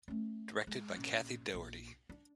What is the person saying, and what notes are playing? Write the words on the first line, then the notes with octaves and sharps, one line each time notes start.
Directed by Kathy Daugherty.
A3 C#4
G#3
A#1 C#4
A#1
D4